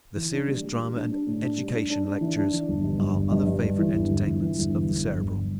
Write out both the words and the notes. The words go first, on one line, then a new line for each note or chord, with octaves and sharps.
The serious drama and educational lectures are other favorite entertainments of the Cerebral.
E3
D4
G3
G3
G3
D4
D4
A2
D4
G3
D4
D4
D4
E3
D4
E3
G1
G2
G2
G1
G2
G2
G1
E3
G1
G1
E3
E3
G1
E3
G1
G2
G1